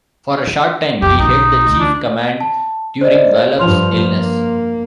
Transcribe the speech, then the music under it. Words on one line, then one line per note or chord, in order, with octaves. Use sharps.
For a short time, he held the chief command during Wallop's illness.
B1 F2 G4
B1 D#4
D2
D4
A5
C5 D5 D#5
G2 F3 C6 F6 F7
A#3